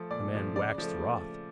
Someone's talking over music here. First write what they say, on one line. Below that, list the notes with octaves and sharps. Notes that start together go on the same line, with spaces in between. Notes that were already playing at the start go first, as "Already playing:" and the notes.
The man waxed wroth.
Already playing: F3 A3 A4
A#2 D5
F3 A3
C#3 D5
F3 A3